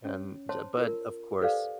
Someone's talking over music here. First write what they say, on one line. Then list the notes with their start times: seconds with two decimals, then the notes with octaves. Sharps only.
and j but, of course,
0.05 C#4 C#5
0.49 C5 C#5 A5 C6
0.78 F4 A#4
1.41 G4 A4 B4 C5 D5 F5